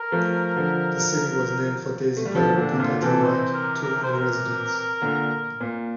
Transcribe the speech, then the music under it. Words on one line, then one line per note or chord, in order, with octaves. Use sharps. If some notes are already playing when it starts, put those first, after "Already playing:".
The city was named for Daisy Barrett and Etta White, two early residents.
Already playing: A#4
F3 A3
D3 F3
A3
G3
D3 F3 A4
A#2 D3 D4
C3
A#2 D3 F4
C3 E3 A4
C5
A#4
A#4
C5
A#4
A#2 D3
A#2